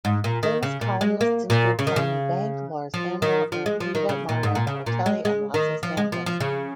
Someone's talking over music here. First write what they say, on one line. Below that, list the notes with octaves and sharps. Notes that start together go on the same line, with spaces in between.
Famous columnists include Simon Bank, Lars Anrell, Erik Niva, Mario Balotelli and Lasse Sandlin.
G#2
A#2
D#3
C#3
A#2
G#3
A#3
A#2
C#3
D#3
C#3
F3
D#3
F3
G#3
F3
D#3
C#3
A#2
G#2
A#2
C#3
A#2
G#3
G#3
D#3
F3
G#3
F3
F3
C#3